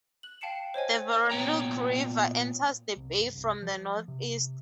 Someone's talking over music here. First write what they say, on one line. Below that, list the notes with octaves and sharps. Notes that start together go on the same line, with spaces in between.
The Veronique River enters the bay from the northeast.
F#6 F#7
F5 G5 A5 C7 C#7 E7
C5 C#5 D#5 G#5
A#2 B3 C#5 G5 A#5
C2
G1
C2
F3
C3